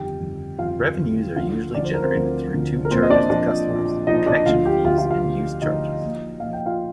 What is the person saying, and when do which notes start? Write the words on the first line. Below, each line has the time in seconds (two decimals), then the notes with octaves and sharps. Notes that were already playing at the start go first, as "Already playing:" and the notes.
Revenues are usually generated through two charges to customers: "connection fees" and "use charges".
Already playing: G1 F2 D#3 G4 G5
0.19 G1 F2 D#3
0.58 G1 F2 D#3 F4 F5
0.97 G1 F2 D#3
1.36 D2 D3 F3 F4 F5
1.75 D2 D3 F3 D5
1.85 C5
1.94 A#4
2.03 C4 C5
2.14 D2 D3 F3
2.53 D2 D3 F3
2.85 A#4
2.91 A#1 A#2 F3 C4 C5
3.03 D#5
3.10 D4 D5
3.30 A#1 A#2 F3 D4 D5
3.68 A#1 A#2 F3
4.07 A#1 A#2 F3 D#4 D#5
4.26 D4 D5
4.46 D2 D3 F3 F4 F5
4.65 G4 G5
4.84 D2 D3 F3 F4 F5
4.98 F4 F5
5.11 F4 F5
5.23 D2 D3 F3
5.62 D2 D3 F3 D#4 D#5
6.02 A#1 A#2 F3
6.40 A#1 A#2 F3 F5
6.53 G5
6.66 F4 F5